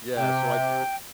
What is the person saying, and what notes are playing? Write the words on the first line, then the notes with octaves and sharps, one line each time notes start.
yeah, so, I t
C3 G5